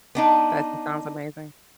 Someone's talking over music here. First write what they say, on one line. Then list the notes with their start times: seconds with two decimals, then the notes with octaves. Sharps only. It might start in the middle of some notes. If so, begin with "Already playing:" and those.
that sounds amazing.
0.15 B3 D4 D#4